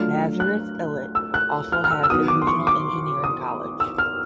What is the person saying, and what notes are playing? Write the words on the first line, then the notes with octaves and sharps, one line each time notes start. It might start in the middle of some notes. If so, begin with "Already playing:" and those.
Nazareth Illit also has a regional engineering college.
Already playing: F#3 A3 D4 F4 F6
F#6
E6
F#6
F6
F6
E6
E6
D#3 F#3 B3 D#6
D6
C6
C#6
D6
D#6
E6
F6